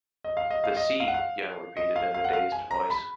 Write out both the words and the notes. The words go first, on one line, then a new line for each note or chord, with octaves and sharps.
"The sea," Young repeated in a dazed voice.
D#5
F5
D#5
F5
D#5
F5
F#5
F5
D#5
F5
F5
F#5
F5
G#5
A#5
B5